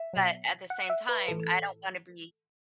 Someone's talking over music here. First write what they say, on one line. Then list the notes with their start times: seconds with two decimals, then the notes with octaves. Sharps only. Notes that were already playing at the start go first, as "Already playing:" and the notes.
but at the same time, I don't wanna be
Already playing: E5
0.13 B2 F#3
0.70 F#5
0.90 E5
1.09 B4
1.28 A2 E3 A4